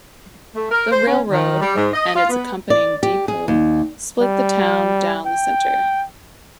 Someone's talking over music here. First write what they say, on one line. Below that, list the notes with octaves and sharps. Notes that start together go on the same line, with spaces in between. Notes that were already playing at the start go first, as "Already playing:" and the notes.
The railroad, and its accompanying depot, split the town down the center.
A3
A#4
C5
C#4
D#3
G3
G#2
D#5
F4
B3
D5
G4
G#4
D#2
G3
G5